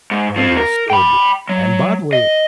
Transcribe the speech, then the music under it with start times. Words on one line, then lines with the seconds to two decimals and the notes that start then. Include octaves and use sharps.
Understood. And by the way, eh, uh
0.11 G#2
0.36 F3 C4
0.57 A#4
0.90 G5 B5
1.49 F#3
2.13 D#5